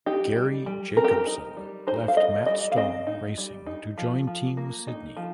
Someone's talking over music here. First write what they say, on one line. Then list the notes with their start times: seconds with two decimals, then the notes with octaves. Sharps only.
Garry Jacobson left Matt Stone Racing to join Team Sydney.
0.06 D#4 G4
0.36 G3
0.66 G3
0.97 C4 A#4
1.04 G4
1.11 A#4
1.27 D#4
1.57 G3
1.87 D#4 C5
2.08 F5
2.17 G3 D#5
2.46 G3 D#5
2.72 F5
2.76 C4 D#5
3.07 D#4
3.38 G3
3.66 D#4
3.98 F3
4.27 F3
4.57 A#3
4.87 D#4
5.17 F3